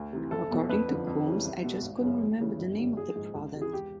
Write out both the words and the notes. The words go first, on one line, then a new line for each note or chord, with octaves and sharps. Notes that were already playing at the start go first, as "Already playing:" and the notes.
According to Coombs: I just couldn't remember the name of the product.
Already playing: D2
C3 E3
F#1 A4
E2 B2
F2 B4
D3 F3
F2
C#3 E3 G3
C2
B2 G3
G#1
F#2 C#3
D#2
C#3 E3 G3
G1
F#2 D3 G3
A#1 G#4
G#2 F3 G#3
C#2
C3 E3 G#3
G#4
E1 G4